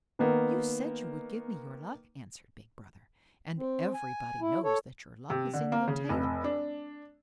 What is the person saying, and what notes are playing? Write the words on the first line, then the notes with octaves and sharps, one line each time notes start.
"You said you would give me your luck," answered Big Brother, "and everybody knows that your luck is in your tail."
D#3 A#3 B3
C4
G#5
E4
A4 C#5
C3
D3
A#3
C#3
F1
D4